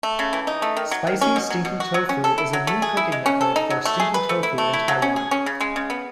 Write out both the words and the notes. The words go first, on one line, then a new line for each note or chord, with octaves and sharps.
Spicy stinky tofu is a new cooking method for stinky tofu in Taiwan.
A3
C#3
E3
D#4
A3
D#3
F#3
D#3
C#4
B2
F#3
B2
F#4
F#3
C#4
A4
E4
F#3
A3
G#4
E4
G#3
C#4
A4
D#4
F#3
A3
G#4
B4
A3
E4
A3
E4
F#3
C#4
G#4
C#4
C#3
G#3
C#3
B3